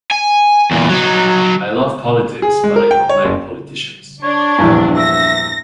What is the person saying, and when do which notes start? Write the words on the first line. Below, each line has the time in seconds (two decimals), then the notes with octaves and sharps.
I love politics but I don't like politicians.
0.11 G#5
0.71 E2 A#2
0.89 F#3 D#4
2.42 G#4
2.63 G#3
2.76 A#4
2.91 G5
3.09 C#5
3.25 F#1
4.23 D4 C#5
4.59 A#1 E2 G2
4.97 E5 A#6